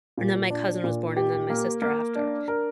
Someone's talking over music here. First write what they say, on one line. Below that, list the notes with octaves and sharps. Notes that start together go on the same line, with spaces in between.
and then my cousin was born and then my sister after.
A#2
D4
A#2
G4
A#3
A#3
D4
A#4